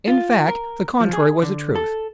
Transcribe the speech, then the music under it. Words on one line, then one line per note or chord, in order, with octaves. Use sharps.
In fact, the contrary was the truth.
F4
A#4
F3
G#4
D3
A4